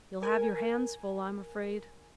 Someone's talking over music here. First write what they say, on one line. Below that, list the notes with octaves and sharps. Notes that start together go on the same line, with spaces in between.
You'll have your hands full, I'm afraid.
A#4 G#5